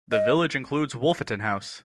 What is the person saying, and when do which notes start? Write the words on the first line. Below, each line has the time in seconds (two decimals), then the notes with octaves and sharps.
The village includes Wolfeton House.
0.12 D#5